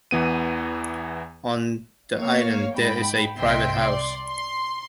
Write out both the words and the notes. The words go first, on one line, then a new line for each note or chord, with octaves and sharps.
On the island there is a private house.
E2 E3 B3 D#7
A#3 C#5 F5
G#2 G5 B5
C2 C3 D#5 E5 G5 C6
D5 C6
C6